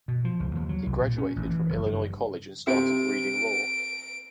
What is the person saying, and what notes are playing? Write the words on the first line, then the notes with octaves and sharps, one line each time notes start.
He graduated from Illinois College and started reading law.
B2
F3
C#2
D#2
F#3
C2
A#2
C#4
A1
E3
F#1
G2
C3 D7